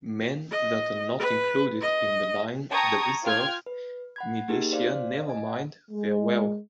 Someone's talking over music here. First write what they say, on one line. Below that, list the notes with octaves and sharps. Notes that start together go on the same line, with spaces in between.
Men that are not included in the line, the reserve, Militia Never mind, Farewell.
D#5
B4
D#5
G5 A5 A#5 C#6 D#6 G#6
F4 G5 F6 G#6
B4
F#5 B5 G#6
A#3 D#4 G4 G#4 A#4
C5 D5 F5
D#5 G#5
F#5
G#3